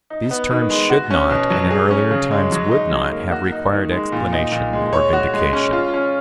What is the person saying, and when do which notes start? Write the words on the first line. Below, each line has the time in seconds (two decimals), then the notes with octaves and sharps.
These terms should not, and in earlier times would not, have required explanation or vindication.
0.10 D#4
0.31 B3
0.50 D#3
0.70 G#3
0.90 F#4
1.11 C#4
1.30 B2
1.50 F#3
1.71 G#4
1.91 C#4
2.11 C#3
2.31 G#3
2.52 F#3
2.71 D#4
2.92 F#3
3.12 A#3
3.31 F#4
3.52 D#4
3.72 D#3
3.92 G#3
4.12 A#2
4.32 D#4
4.52 A#2
4.73 G#3
4.93 C#5
5.13 F#4
5.34 G#3
5.53 C#4
5.73 F4
5.94 C#4